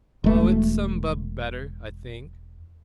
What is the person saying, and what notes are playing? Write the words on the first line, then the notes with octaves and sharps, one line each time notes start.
"Oh, it's some bub-better, I think."
E1 A3